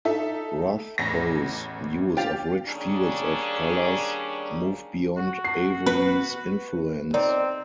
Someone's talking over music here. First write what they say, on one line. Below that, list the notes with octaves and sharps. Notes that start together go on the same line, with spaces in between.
Rothko's use of rich fields of colors moved beyond Avery's influence.
D#4 A4 E5
A1 E2 A#6
G4 F5 A6 F7
D#3 G3 A#3 C#4 D4 G#4
F#4
C7
B3 B4
C4 D#4 D5